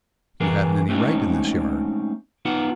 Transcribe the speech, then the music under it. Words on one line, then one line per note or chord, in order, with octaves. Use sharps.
"You haven't any right in this yard."
E3 G#4 A#4 B4
G#3 A3 C4 C#4 D#4
B3 D#4 F4 F#5